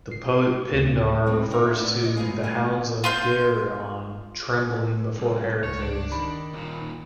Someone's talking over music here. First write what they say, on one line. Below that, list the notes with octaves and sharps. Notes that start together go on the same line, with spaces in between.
The poet Pindar refers to the "hounds of Geryon" trembling before Heracles.
C7
D2
C3 E3 G3 G#3 C4
D#4 G4 A#4 E5
E2 A2 B3 D5
D5 D#5
G#2 B2 F3 D#4 F4 G#4
E3 G3 A3 F4 G#4
F4 C6 G6
C2
C#2 C#5
D4
D#3 B5
D#2 A#2